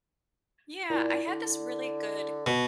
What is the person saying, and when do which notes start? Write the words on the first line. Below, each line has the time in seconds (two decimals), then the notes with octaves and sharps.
Yeah, I had this really good
0.90 A#2 E4 D5
1.27 D3
2.46 B2 F#4